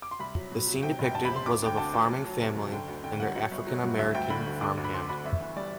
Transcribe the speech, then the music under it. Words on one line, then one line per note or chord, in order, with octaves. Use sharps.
The scene depicted was of a farming family and their African American farm hand.
D6
C6
C2 B5
F#3
B2
F#3
C3 G5
E1 G5
E1 A5
B5
C3
C6
D2 D6
D3 G5
D2 A5
D2
F#3
F#3
C3
F#1
D3 G5
D2
D3 G5
G3 F#5
F#3
G1
F#3
G2
D2 E5
D2 G5
D3 B5
D2
D3 D6
D2
B5
D2 C6
D2 B5
G1 E5
E3
G3 D5